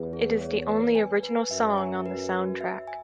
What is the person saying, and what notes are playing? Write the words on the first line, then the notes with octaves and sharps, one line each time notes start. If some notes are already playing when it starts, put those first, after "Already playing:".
It is the only original song on the soundtrack.
Already playing: E2
G#4
C#5
B4
G#5
B4
F#2 E5
G#5
B4
F#4
E5
G#5